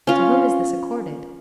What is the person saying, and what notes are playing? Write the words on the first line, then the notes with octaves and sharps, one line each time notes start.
To whom is this accorded?
C#4 F4